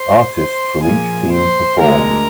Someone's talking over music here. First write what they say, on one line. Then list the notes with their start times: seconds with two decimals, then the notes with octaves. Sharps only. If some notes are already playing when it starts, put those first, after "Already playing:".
Artists from each team performed.
Already playing: C5 C6
0.35 C5 C6
0.83 A#2 F3 A#3 G#4 G#5
1.31 C5 C6
1.79 D2 D3 G#3 A#4 A#5